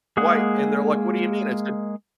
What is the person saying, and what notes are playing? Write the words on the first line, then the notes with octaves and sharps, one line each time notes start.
Why, and they're like, "What do you mean?" I said,
G#3 A#3 G#4 F#5 D#6